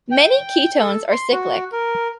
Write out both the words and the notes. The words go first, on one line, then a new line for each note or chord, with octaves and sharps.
Many ketones are cyclic.
G5
A4
C6
F#4
A#4